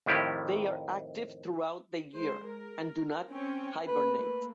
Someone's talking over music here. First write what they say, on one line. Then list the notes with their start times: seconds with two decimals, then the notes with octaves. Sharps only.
They are active throughout the year, and do not hibernate.
0.06 F2 A2 D#3 E4 G4 D5
2.12 G#3 C5
2.46 A#4
3.29 C4 C#4 G5
3.88 A3 A#3 B4
4.19 B4